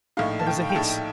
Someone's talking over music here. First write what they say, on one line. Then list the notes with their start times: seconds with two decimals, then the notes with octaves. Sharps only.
There was a hiss.
0.17 A#1 A2 A3 D#4 F5
0.39 A5
0.47 G5
0.69 G5
0.75 A#1 A2 A3 D#4 A5